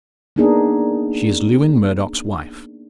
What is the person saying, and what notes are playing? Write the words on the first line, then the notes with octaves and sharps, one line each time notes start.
She is Lewin Murdoch's wife.
A#3 B3 D4 D#4 G#4